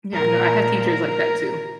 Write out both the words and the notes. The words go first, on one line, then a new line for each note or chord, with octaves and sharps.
Yeah, no, I had teachers like that too.
A#2 F3 A#4
A#4